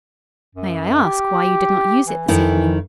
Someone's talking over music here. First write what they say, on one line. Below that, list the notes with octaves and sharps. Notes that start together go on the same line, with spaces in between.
"May I ask why you did not use it this evening?"
F#2
G4
E3
F2 D#3 E4